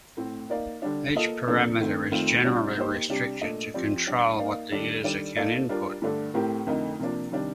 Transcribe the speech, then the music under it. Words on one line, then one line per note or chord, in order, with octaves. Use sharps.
Each parameter is generally restricted to control what the user can input.
A2 A3 C4
A#3 D#4 A#4 D5 F5
D3 G3 D4
A#3 F4 A4 D#5
C3 F3 A#3 D4 A4
D#3 A3 C4
F2 D#3 A3 C4 F4
C3 G3 D4 F4
A#3 D#4 G4 C5
C3 G3 D4 G4
A#2 A3 D4 A4 D#5
F3 C4 G4 D5
G3 D4 G4
A#3 D#4 A#4 D5 F5
D#3 G3 D4 A4
D#3 G3 D4 A4 D5
A#3 D#4 A4 D5 F5
G3 D4 F4 A#4
G2 D3 A3 D4 A4
A2 A3 C4 G4 A#4
F2 D3 A3 D#4 A#4
C3 F3 A#3 D4
C3 D#3 G3 D4